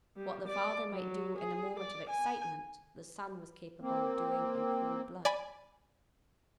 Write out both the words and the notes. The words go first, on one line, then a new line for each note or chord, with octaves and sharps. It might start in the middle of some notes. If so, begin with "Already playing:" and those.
What the father might do in a moment of excitement, the son was capable of doing in cold blood.
G3
D5
F#3
G#4
D5
G#5
A#3 C4
D5 G#5 B5